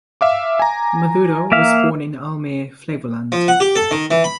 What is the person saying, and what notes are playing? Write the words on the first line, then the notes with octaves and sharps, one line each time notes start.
Maduro was born in Almere, Flevoland.
E5 F5 D6
G#5 A#5
A#3 E5 F5
F3
F#5
G4
A4
D#3
E3
B5